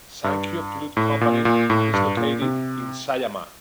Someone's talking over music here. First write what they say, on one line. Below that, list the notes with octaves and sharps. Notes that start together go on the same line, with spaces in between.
Sankyo Flute Company is located in Sayama.
G2
A2
A#2
A#2
A2
G2
A#2
C3